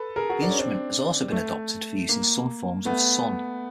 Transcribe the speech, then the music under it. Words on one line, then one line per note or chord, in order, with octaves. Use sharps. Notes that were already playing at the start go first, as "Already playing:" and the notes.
The instrument has also been adopted for use in some forms of "son".
Already playing: A4 B4
G#4 A#4
F#4 G#4
D4
C#4
C4 D4
A3
A#3
A3 B3